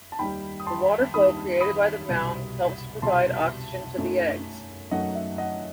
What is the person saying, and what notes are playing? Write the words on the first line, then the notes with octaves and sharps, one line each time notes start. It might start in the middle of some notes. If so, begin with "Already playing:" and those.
The water flow created by the mound helps to provide oxygen to the eggs.
A5
D#2 D#3 G3 D#4 G5 B5
D#6
A5 C6
D#2 D#3 G3 D#4 B5 D#6
B5 D#6
C2 B2 G3 B3
C2 B2 G3 B3 A5 C6
F#2 F#3 A3 D#4
F#2 F#3 A3 D#4 D#5 F#5
E5
D#5 F#5